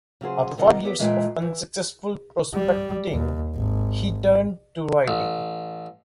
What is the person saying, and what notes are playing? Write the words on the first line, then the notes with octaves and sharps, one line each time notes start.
After five years of unsuccessful prospecting, he turned to writing.
C#3 F#3 G#4 C5
C3 D#3 F4 D#5 F#5
B3 G4 C#5 E5
A#2 E3 G#3 A3 A#4 G5
E3
G3
D#2
G#1
A1